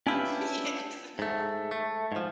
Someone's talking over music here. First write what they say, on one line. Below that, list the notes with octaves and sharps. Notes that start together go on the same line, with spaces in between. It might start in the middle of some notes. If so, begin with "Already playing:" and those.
Yes. No.
C#4 D4 E4 F4 G4 B4
G#2 A3
A3
G#2 F3